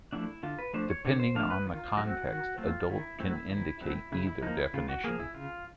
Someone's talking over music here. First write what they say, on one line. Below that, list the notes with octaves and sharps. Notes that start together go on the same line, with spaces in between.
Depending on the context, "adult" can indicate either definition.
F3 A3 D4 E4
D3 F4
B4
F3 A3 D4 C5
C#5
D3 C#5
C5
F3 A3 D4 F5
B4
D#3 F4
F#3 A3 C4 F#4
D#3 F#4
F#3 A3 C4 F4
D#3 E4
F#3 A3 C4 E4
D#3 E4
F#3 A3 C4 E4
C#3 E4
E4
F3 A#3 D#4
E4
C#3 F4
F#4
F3 A#3 G#4
E4
C#3 F4